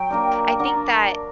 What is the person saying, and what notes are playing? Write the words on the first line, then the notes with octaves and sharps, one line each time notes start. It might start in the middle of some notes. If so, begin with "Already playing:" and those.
I think that
Already playing: F#3 G5
A#3 D4 A#4 D5
A#3 D4 A#4 D5 F#5